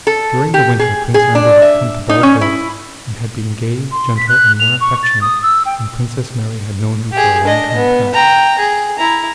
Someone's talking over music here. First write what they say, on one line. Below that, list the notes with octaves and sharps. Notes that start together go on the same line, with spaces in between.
During the winter Prince Andrew had come to Bald Hills and had been gay, gentle, and more affectionate than Princess Mary had known him for a long time past.
A4
G4
G#4
G#4
D4
E5
D#4
C#4
E4
C6
B6
F#6
F7
C#6
A6
D#6
E6
G5
G4 G#4
D4 D#5
B3
G5 A#5
G#4
E4 A#5